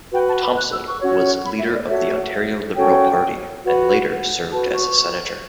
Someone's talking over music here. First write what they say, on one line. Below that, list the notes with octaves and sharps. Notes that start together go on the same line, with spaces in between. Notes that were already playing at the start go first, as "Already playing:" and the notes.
Thompson was leader of the Ontario Liberal Party and later served as a Senator.
F#4 B4 G5
A5
B5
F#6
E6
C#6
C#4 F#4 C#5
B5
E5
D5
F#4 A4 C#5 E5
C#4 F#4 A4 C#5 G5
F#4 B4
F#4 B4 A5
C#6